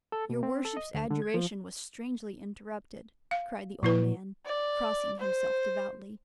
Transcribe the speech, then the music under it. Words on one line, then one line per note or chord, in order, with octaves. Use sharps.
"Your worship's adjuration was strangely interrupted," cried the old man, crossing himself devoutly.
A4
B2
C4
A4
D#5
D2
D3
G#6
F3
F5
A#2 F3 E4 B4
D5
C5